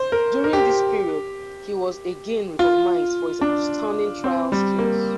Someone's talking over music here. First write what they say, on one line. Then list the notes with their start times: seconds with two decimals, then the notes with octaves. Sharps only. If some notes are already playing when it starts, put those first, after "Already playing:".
During this period, he was again recognized for his outstanding trial skills.
Already playing: C5
0.12 A#4
0.44 A#4
0.53 G4
2.59 F4
3.41 D4
4.24 C4
4.52 G3
4.79 A#3